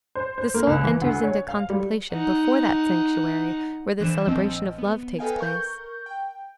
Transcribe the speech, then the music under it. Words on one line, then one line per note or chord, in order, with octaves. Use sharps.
The soul enters into contemplation before that sanctuary where the celebration of love takes place.
C5
C5
A#3
C#2
E3
D2
C#5
F5
G3
D#4 F#5
D3 E3 D4 C5 E7
A#1 F3 C4 D#5 E6
B3
A4 B4 D#5 F5 G5 G#5
A#4 C#6 G6
G5